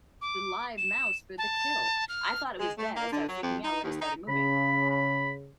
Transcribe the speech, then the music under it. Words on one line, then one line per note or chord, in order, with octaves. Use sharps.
the live mouse for the kill. I thought it was dead. I started freaking out when it started moving.
D6
E7
A5
F6
G#3
A3
A#3
D3
F#3
F2
D#4
D#2
D#4
C#3 B5
B5